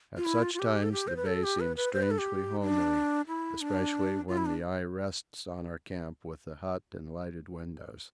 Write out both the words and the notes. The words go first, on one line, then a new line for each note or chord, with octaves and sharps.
At such times the Bay seems strangely homely, especially when the eye rests on our camp with the hut and lighted windows.
F4
E4
F4
F4
G4
A4
G4
C5
B4
A4
G4
B4
B4
C5
B4
A4
G4
D4
E4
D4
F4
E4
D4